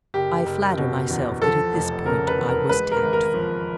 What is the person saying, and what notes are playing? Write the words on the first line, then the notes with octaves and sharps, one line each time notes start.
I flatter myself that at this point I was tactful.
F#1 G4
F#1
B2
E2
F3 A4
F1
C#3 A#4
B4
E2
A#4
G#3 B4
A#4
G#1
A#4
F3